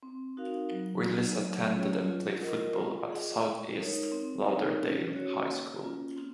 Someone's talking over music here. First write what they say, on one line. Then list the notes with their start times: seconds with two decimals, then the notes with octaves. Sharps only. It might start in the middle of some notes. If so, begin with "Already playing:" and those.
Willis attended and played football at Southeast Lauderdale High School.
0.03 C4
0.37 D#4 F#4 A#4 F5
0.71 F#3
1.05 A#3 D#4
1.39 F#3
1.73 C#4 F4 G#4 C#5
2.08 F4
2.41 A#4 D#5 F#5
2.75 F4
3.10 G#4 D#5 F#5
3.44 G#3
3.77 D#4 A#4 C#5
4.12 C4
4.46 D#4 A#4 C#5
4.80 C#4
5.14 F#4 C#5
5.49 A#3
5.82 C#4 F4
6.17 C4